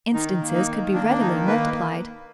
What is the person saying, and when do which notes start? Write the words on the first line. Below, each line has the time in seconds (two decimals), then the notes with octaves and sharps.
Instances could be readily multiplied.
0.13 D#3 D#4
0.41 A#3
0.53 D#4
0.68 D#3
0.93 A#3 D4
1.09 D4
1.20 D#3 D#4
1.47 A#3 B4